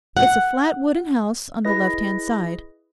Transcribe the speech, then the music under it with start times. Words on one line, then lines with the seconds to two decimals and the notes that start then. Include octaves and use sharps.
'It's a flat wooden house, on the left-hand side.
0.17 F#5
1.65 E4 G#4 B4 D#5 A#6